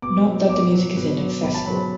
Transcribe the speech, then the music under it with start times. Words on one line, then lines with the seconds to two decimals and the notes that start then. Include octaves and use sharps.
Not that the music is inaccessible.
0.02 B2 D6
0.25 F#3
0.49 B2 D6
0.72 F#3
0.97 B2
1.20 F#3
1.43 B2 B5
1.54 A5
1.66 F#3 B5